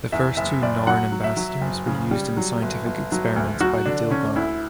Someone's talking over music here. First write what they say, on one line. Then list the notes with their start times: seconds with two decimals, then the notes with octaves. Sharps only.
The first two Narn ambassadors were used in scientific experiments by the Dilgar.
0.12 E2 E5
0.37 F#1 E5
0.62 F#1 D5
0.87 F#3 F#5
1.12 F#3
1.24 E5
1.37 F#3
1.61 F#1
1.87 C#3
2.11 G3
2.37 F#3
2.62 G1
2.86 G1
3.12 F#3
3.36 D2
3.61 F#3 F#4
3.86 D3 D4
4.10 D3 C#4
4.36 D2 E4